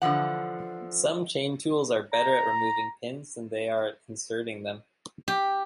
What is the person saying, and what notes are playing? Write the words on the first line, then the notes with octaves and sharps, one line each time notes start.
Some chain tools are better at removing pins than they are at inserting them.
D3 E3 F3 F#5
A#5
G4